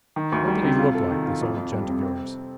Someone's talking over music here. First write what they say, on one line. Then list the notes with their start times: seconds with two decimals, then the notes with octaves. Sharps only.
'What did he look like,--this old gent of yours?'
0.16 D#3
0.32 D2
0.48 G3
0.63 C3
0.78 F4
0.94 A4
1.11 D#3
1.26 F4
1.41 F2
1.56 F2
1.72 G3
1.88 C3
2.03 C4